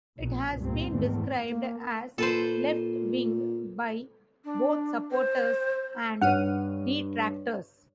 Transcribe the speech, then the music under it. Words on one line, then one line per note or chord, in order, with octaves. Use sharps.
It has been described as left-wing by both supporters and detractors.
A#1 A#2
C#2 G2 A#2 A#3 C4
E2 G#2 D#3 A3 C4
A#3
A#2 A4 B4 C5
D4
C5
G2 C#5 F#5 F6 D#7